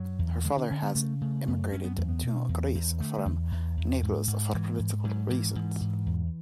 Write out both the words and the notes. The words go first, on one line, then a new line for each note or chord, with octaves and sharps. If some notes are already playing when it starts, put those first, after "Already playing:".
Her father had emigrated to Greece from Naples for political reasons.
Already playing: F#2 F#3
E2
D3 G#3
D4
D3 C#4
B3
C#3 A3
C#3 A3
F#2 A3
F#2 C#4
B3
E2 A3
B3
B2
E2
E2
D3 A3
A3
E2
E2
E2
G#2
G#2
G#2 E3
G#2
G#2 F#3
G#2 E3
G#2 E3
G#2
E2